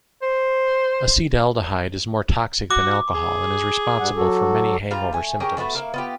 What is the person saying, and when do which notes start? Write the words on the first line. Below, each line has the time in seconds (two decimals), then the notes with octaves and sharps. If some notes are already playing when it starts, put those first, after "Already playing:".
Acetaldehyde is more toxic than alcohol and is responsible for many hangover symptoms.
0.22 C5
2.71 F#4 D6
3.15 G#4
3.99 G2 G3 F#5
4.15 F#3 F#4 A4
4.91 G3 F4 F5 A#5
5.13 A3 G#5
5.40 C#4 G4 G#4 A#4
5.57 D3 A3 B3 F#4
5.75 A#3 E4 F5
5.94 B3 F4 G4